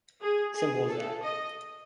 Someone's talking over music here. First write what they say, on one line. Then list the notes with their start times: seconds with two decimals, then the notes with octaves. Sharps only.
Simple as that.
0.21 G#4
0.55 G#4
0.89 A4
1.23 D#5